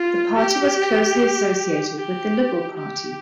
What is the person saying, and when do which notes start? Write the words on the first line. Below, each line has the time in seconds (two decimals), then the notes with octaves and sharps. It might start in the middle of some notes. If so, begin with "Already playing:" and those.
The party was closely associated with the Liberal Party.
Already playing: F4
0.36 G4
1.97 G4
2.78 G4